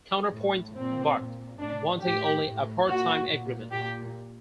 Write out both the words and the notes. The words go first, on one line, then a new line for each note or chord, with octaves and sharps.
Counterpoint balked, wanting only a part-time agreement.
A2
A#2 C4
A#2
A2 D4
A2 G4
A2
A#2 F#4
A#2
A#2 G4